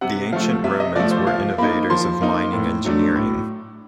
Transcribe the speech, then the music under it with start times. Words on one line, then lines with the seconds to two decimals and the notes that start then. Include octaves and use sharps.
The ancient Romans were innovators of mining engineering.
0.01 C3 F#5
0.33 F3 A3 F5
0.64 C3 E5
0.80 D#5
0.96 F3 A3 D5
1.11 C5
1.27 F3 F5
1.58 A#3 D#4 B5
1.90 F3 C6
2.21 A#3 D#4
2.53 A2
2.85 F#3 A3 D4
3.16 A2